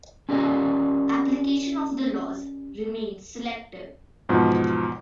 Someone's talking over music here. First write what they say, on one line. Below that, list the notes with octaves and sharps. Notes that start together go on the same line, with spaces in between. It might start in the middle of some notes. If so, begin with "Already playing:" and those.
Application of the laws remains selective.
C#4 G4 A#4 D5 D#5
E2 G#2 B2 F3